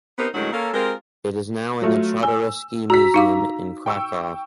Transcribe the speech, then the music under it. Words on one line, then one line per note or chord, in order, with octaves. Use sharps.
It is now in the Czartoryski Museum in Krakow.
B3 C4 D#4 G4 A#4 C5
D2 A2 D#3 F#3 G#3 C#4
A#3 C#4 A4
G#3 C4 F4 G4 A#4
F#3 A3 F4
G#5 E6
F#4 A#5 E6 B6
D#4 F5 D6
G5 C#6 E6